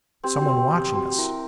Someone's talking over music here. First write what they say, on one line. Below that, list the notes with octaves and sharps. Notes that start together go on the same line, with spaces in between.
Someone watching us.
C4 G4
F#4
C4
C4
G4
C4 F#4
E4 A#4